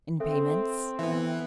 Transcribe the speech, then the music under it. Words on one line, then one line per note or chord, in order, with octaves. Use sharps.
"In payments."
C4 A4 E5
E3 B3 E5